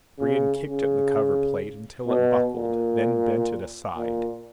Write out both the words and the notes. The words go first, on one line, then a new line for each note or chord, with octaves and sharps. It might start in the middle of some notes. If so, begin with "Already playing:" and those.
Brion kicked at the cover plate until it buckled, then bent it aside.
C#3
C#3
B2
A#2
A#2